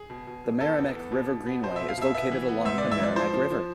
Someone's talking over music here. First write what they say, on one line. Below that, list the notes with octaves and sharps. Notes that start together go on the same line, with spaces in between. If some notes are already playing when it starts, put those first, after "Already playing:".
The Meramec River Greenway is located along the Meramec River.
Already playing: G#4
B2
B2
B2
B3 A4
E2
B3
B2
B2
B3
B2 C5
B2 E5
F5
B2 E5
B3 E5
E3
B3
G#2 E5
E3 D5
E5
G#2 D5
F3 C5
F3
F3